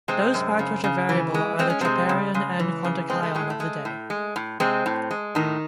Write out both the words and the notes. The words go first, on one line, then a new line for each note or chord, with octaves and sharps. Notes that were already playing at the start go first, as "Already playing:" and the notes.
Those parts which are variable are the Troparion and Kontakion of the day.
C3 G#3 C4
F#2
C#3
C#3
E3
G#3
G#3 C4
C#4
C3 G#3 C4
C#3
C#3 G#3
E3
C#3
G#3 C4
A3
A2 G#3
A3
G#3
A2
G#3
A2
C3 G#3 C4
A2
G#3
A2 D#3 D#4